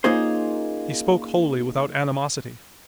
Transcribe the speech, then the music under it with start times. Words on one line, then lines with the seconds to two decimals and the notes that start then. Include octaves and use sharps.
He spoke wholly without animosity.
0.04 A#3 C#4 D#4 F4 G#4 C5